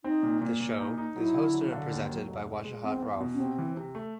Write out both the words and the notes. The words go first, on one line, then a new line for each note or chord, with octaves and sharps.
The show is hosted and presented by Wajahat Rauf.
C4 D#4
A#2
A#2
A#2
D#4
D#4
F#3 E4
D3
F#3
D3
D#2
F#3
F1
G#3
G#3
E2 C4
E2
B2
C#4
C3 C4
E3
C3
A3